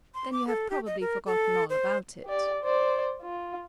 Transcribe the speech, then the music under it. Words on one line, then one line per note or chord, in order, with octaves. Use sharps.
"Then you have probably forgotten all about it."
C6
D6
A4
G4
D#5
A#4
A4
C5
G4 D5
C5 D5
F4